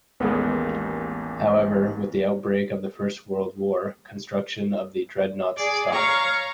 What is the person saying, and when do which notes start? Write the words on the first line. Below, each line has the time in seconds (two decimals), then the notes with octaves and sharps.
However, with the outbreak of the First World War, construction of the dreadnoughts stopped.
0.20 A1 D#2 G#3 A#3 B3
5.56 G#4 D5
5.91 C#5 F5 A#5 C#6